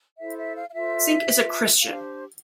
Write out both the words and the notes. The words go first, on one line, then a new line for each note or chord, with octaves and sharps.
Cink is a Christian.
E4 A4 C5 E5
E5
F5
F5
F4 A4 C5 E5
F4 B4
D4 G4 C5 F5